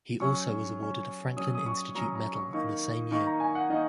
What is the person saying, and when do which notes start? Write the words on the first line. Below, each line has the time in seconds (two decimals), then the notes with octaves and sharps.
He also was awarded a Franklin Institute Medal in the same year.
0.20 F#3 C#4 C#6
0.79 F#3 C#4
1.37 F#3 C#4 D#6
1.55 D#6
1.66 C#6
1.95 F#3 C#4 A#5
2.15 A#5
2.34 C#6
2.53 D#3 A#3 D#4 C#6
3.11 D#3 A#3 D#4 C#6
3.27 A#5
3.40 G#5
3.55 F#5
3.70 D#3 A#3 D#4 D#5